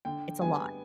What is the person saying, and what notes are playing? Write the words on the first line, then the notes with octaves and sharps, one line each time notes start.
it's a lot.
D3 G5
G3 B3 G#5